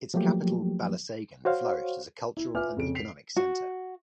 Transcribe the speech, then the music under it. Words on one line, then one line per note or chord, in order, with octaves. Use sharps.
Its capital, Balasagun flourished as a cultural and economic centre.
F3 F#3 A3 A#3 G4
F#4 C5 C#5 F5
E4
F4 B4 E5 G#5 D6 F6
F2 C#3 D7
B6 C7 F7
F#4